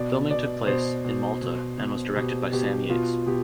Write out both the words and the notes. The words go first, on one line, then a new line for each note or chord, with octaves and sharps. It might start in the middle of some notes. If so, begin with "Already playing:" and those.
Filming took place in Malta and was directed by Sam Yates.
Already playing: B2 D5
B2 D5
B2 C5
B2
B2
B2
B2 G4
B2 G4
B2 F4
B2 G4